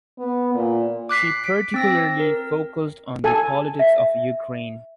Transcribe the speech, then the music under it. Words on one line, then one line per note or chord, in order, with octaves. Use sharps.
She particularly focused on the politics of Ukraine.
B3
A#2
D6 F#6 B6 C7
B6 D7
C4 E6 A#6
A#4
A4 G#5
E5